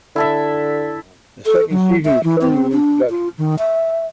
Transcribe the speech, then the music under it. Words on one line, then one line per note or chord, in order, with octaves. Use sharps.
A second season is currently in production.
D3 E4 A4 E5
A4
F#3
E5
E3
C4
D4
F4
D#3
E5